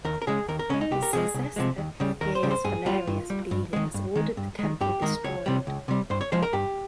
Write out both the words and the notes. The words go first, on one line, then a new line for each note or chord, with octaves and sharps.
His successor Gaius Valerius Paulinus ordered the temple destroyed.
D#2 A#4
A#4
C#3 G#3 G#4
D#2 A#4
A#4
C#3 G#3 C#4
D#4
C2 G4
A#4
C3 F3 G#3 G#4
C2
C3 F3 G#3
D#2
C#3 G3
D#2 A#4
C5
C#3 G3
C5
G2 G#4
G3 F4
G2
G3
G2
D#3 G#3
G2
D#3 G#3
G2
D#3 G#3
G2 G4
D#3 G#3 A#4
C#2 C#5
C3 G3
C#2
C3 G3
G2 C5
C#5
F3 G#3 C5
A#4
G2 G4